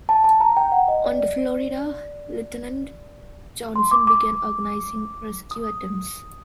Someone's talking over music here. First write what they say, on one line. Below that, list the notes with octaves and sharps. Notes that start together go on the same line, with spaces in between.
On the "Florida" Lieutenant Johnson began organizing rescue attempts.
A5
A5
A#5
G5
F#5
D#5
D5
C6
D6
D6
D#6